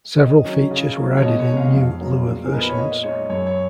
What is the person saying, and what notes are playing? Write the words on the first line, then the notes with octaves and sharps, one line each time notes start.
Several features were added in new Lua versions.
D#3 D#5
F#3 C#4
C#3
F#3 A#3
C#5
B2 D#5
C#5
G#3 D#4
F5
F2 F5
C#3 F#3 B3
A#2
G#4
F3 B3 D#4 A#4
B4
C#5
A#2 D#5
G#3 D#4 C#5
F#2 C#5
C#5